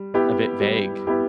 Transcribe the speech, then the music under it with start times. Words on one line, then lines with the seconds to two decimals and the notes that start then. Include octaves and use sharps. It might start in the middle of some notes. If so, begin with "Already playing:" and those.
a bit vague,
Already playing: G3
0.14 B3 E4 G4
0.61 G3
1.07 B3 E4 G4